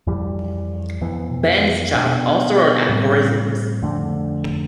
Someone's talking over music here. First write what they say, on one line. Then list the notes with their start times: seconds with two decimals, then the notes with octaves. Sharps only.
Benschop also wrote aphorisms.
0.07 F2 E3 G3
1.01 F2 E3 B3
1.94 B2 B3 D4
2.89 A2 G3 C4
3.82 F2 D3 A3 D4